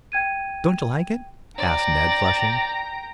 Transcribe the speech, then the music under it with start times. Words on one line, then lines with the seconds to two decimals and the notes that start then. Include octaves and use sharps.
"Don't you like it?" asked Ned, flushing.
0.12 G5 G#6 D#7
1.58 D5 G5 A#5